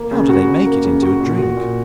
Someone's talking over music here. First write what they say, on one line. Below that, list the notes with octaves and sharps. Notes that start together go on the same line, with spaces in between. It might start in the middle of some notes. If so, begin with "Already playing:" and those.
How do they make it into a drink?
Already playing: A#3
C#3
F#4
C#3
A#3
C#3
F#4
A#2
F#4
A#2